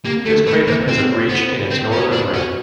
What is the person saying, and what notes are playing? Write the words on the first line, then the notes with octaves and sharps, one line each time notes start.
This crater has a breach in its northern rim.
A#3 G4
A3 A4
A3 B4
A#3 C5
C4 C5
C#5
B3 C5
B4
C4 B4
C#4 C5
B4
D4 C5
C#4 F#4